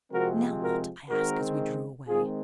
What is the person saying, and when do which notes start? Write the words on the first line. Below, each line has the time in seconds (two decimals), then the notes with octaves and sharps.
"Now what?" I asked, as we drew away.
0.11 C3 F3 G#3 C4 F#4 A#4
0.61 F#4 A#4
1.09 D#3 G#3 C4 F#4 A#4
2.06 D#3 G#3 C4 F4 G#4